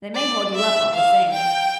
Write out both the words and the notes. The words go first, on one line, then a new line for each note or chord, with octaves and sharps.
They may hold you up all the same.
D5
E5
F5
G5